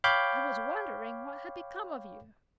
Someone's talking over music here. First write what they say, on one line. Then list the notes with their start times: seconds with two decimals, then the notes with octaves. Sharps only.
"I was wondering what had become of you."
0.04 C#5 F5 G5 B5 D6 G6